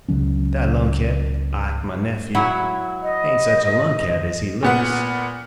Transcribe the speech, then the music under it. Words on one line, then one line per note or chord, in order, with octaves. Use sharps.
That lunkhead, Ike, my nephew, ain't such a lunkhead as he looks.
C#2 C#3 F#3 C#4
F#3 E4 F#5
D#5
A#2 B3 F#5